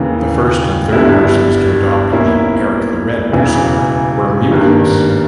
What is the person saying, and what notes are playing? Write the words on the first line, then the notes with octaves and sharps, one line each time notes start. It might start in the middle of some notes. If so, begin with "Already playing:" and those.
The first and third persons to adopt the "Erik the Red" persona were mutants.
Already playing: D#2 C#3 E3 A#3
G1 G2 G3 B3 E4
B1 B2 A#3 C#4 E4
E1 E2 C#3 E3
G#1 G2 D#3 G3 A#3